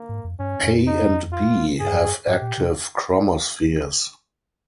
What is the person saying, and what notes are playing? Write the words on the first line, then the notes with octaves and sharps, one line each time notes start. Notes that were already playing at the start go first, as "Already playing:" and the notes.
A and B have active chromospheres.
Already playing: A#3
G#2
F2
G2 C#4
F2
D#4
F4
G2 G#4
G#2 G4
A#2
C3